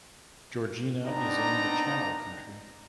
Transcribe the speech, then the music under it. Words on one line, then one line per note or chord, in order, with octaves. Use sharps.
Georgina is in the Channel Country.
B3 C4 D4 D#4 D5 A#5